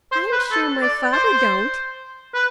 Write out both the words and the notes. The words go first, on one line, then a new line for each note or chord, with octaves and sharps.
"I'm sure my father don't."
C5
B4
A4
D5
C5
B4